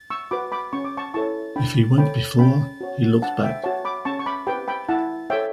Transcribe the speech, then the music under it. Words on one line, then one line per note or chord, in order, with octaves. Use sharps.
If he went before, he looked back.
C#6 E6
F#4 B4 B5 D6
B5 D6
C#4 C#6
D6
A5 C#6
E4 A4 C#5 A5 C#6
D4 G5 B5
A4 C#5 G5 B5
C#4 G5 B5
F#4 C#5
D4 F#5 A5
E5 G5
F#4 C#5 F#5 A5
B5 D6
C#4 A5 C#6
C#6
B5 D6
G4 B4 G5 B5
G5 B5
E4 F#5 A5
A4 C#5 E5 G5